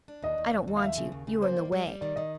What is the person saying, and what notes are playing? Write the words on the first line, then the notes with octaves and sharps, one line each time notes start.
"I don't want you, you are in the way."
D4
D#2 D#5
D#2
D#2
D#2
F5
F3 E5
C#3
D#2
C#3
A#3 C5
G3
G3
G3
D#3 D5
D#3 D#5